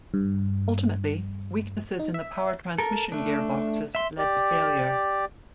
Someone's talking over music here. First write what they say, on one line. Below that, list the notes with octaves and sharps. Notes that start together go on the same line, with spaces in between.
Ultimately, weaknesses in the power transmission gear boxes led to failure.
G2
D#4
E5
A4 A#4
A3 D4
E5 C6
G4 D5